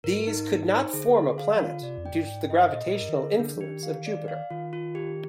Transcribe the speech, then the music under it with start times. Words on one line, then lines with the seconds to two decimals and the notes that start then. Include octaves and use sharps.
These could not form a planet due to the gravitational influence of Jupiter.
0.04 G#2 A#4
0.27 D#4
0.49 D#4
0.71 C5
0.93 D3 G#4
1.16 G#4
1.38 F5
1.55 F3
1.60 D#3 F4
1.73 D3
1.82 C3 D5
1.98 F2
2.06 G5
2.13 G2
2.27 G#2 G5
2.50 G2 D#5
2.72 A#2 D#5
2.86 A#2
2.95 A#4
3.02 G2
3.09 D#3
3.16 D3 G#4
3.39 D3 D4
3.56 F3
3.61 D#3 G4
3.83 F5
4.06 D5
4.28 F5
4.51 D#3 F4
4.73 F4
4.95 G4